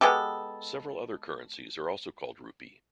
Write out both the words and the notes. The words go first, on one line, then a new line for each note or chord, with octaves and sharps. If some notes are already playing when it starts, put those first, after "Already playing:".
Several other currencies are also called rupee.
G#3 B3 G4 A4